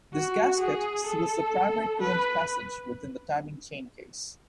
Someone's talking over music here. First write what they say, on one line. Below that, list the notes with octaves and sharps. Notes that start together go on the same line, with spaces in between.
This gasket seals the primary coolant passage within the timing chain case.
F#4
G#4
A4
B4